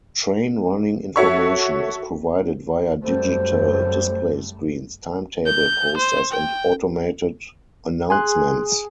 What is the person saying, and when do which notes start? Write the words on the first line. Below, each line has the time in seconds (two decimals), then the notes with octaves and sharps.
Train running information is provided via digital display screens, timetable posters and automated announcements.
1.16 F#4 A4 C#5 E5 C#6
3.03 F#2 G3 A3 C5
5.46 G6
5.97 C5
6.31 G5
8.10 G#4 G#5 C6 F#6